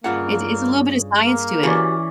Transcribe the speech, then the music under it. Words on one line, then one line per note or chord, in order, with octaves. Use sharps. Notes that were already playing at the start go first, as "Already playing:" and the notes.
It's it's a little bit of science to it.
G2 C#3 A#3 F4 F#5
A#3
E3 C#4 F#4 G4 D5 B5